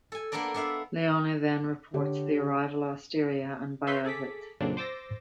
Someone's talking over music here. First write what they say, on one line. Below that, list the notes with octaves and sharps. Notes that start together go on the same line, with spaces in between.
Leone then reports the arrival of Asteria and Bajazet.
A4 G#5
A#3 B3 D4 A4 A#4 D5
B3 D4 E5 F5
D3 G4 C#5
B4 E5 C6 C#6 G6 B6
G#4 A4 D6 B6
F2 A#2 C#3 F#3 C4 D4
C5 D6 E6 A6 A#6